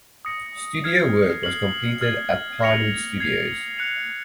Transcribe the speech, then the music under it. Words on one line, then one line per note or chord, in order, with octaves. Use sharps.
Studio work was completed at Pinewood Studios.
D#6 A#6 C#7
F6 G#6 C7
F6 C7 F#7
F6 G#6 C7 F#7
F6 A#6 C#7 F7
G#6 C7 F7
F#6 C#7 F7